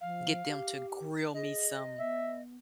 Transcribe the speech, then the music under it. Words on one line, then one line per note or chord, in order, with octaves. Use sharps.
get them to grill me some,
F3 F5
G4
G#4 D#5
B3 E5